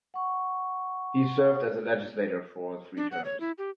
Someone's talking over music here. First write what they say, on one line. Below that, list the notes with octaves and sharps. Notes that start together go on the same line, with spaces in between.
He served as a legislator for three terms.
F#5 C#6
D4
F#5
C#5
E4
G4